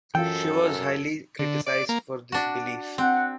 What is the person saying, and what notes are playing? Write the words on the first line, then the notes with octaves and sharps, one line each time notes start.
She was highly criticized for this belief.
F#2 E3 F4 A4 G5
D3
D5
A#3
D4 F#4
C4 F#5